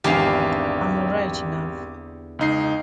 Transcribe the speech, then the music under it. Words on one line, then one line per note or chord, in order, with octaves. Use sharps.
I'm all right enough.
G#1 E2 D3 G4 F5
C#2 D#4 C7